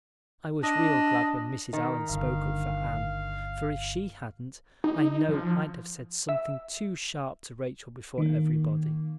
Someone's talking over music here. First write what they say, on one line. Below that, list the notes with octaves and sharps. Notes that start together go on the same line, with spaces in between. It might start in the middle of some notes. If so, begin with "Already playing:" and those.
I was real glad when Mrs. Allan spoke up for Anne, for if she hadn't I know I'd have said something too sharp to Rachel before everybody.
D4 D#5
D#3
G1 D3 F5
D#4
F3
E5
D#3 A#3